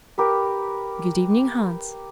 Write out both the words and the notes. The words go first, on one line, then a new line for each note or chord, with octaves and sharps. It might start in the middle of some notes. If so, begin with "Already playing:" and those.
'Good evening, Hans.
G4 A#4 B4